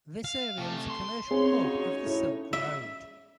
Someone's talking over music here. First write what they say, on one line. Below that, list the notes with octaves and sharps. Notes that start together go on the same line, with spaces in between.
This area was a commercial hub of the Silk Road.
F5
C3 A3
C6
C#3 C4 C#4 D#4 G#4 C#5
F#4
A2
E5